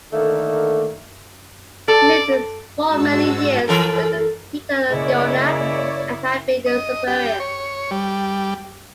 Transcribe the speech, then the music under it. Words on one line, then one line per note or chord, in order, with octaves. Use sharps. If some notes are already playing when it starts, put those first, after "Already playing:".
He lived for many years with Peter of Verona and had been his superior.
D3 D#3 A3 A#3
A4 D5
G#2 G#3 F#4 A5 E6
E3 A4 A#4
C#3 G#3 A#3 E4 C#5 D5
D#5
G4
C#5
G3